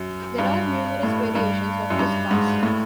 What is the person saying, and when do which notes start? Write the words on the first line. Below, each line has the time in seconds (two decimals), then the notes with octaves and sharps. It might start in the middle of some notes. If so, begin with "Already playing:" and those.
There are numerous variations of this pass.
Already playing: F#2
0.38 G2
1.03 A2
1.35 G2
1.90 F#2
1.99 G2
2.31 G#2
2.63 A2